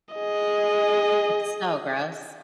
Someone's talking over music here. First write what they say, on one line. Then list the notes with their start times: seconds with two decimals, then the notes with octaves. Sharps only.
It's so gross,
0.15 G#4 D#5